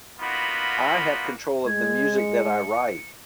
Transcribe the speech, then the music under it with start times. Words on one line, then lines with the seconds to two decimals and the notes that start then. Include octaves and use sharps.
I have control of the music that I write,
0.20 A#3 B3 D#4 F4 F#4 B5
1.67 G#3 G#6
2.18 C#7